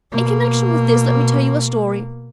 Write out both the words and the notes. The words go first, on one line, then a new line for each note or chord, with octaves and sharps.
In connection with this, let me tell you a story.
B2 A#3